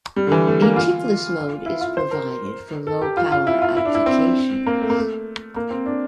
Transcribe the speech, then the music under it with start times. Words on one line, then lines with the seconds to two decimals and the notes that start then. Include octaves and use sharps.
A tick-less mode is provided for low power applications.
0.16 G3
0.27 D3
0.32 E3
0.47 A3
0.62 A#3
0.76 F4
1.66 E4
1.81 F4
1.97 C5
2.11 A#4
2.87 A4
3.02 G4
3.17 F4
3.32 F4
3.47 E4
3.62 F4
3.77 E4
3.85 D4
3.95 E4
4.06 C4
4.67 A#3
4.82 A3
4.90 A#3
4.98 A3
5.56 A#3
5.71 C4
5.86 D4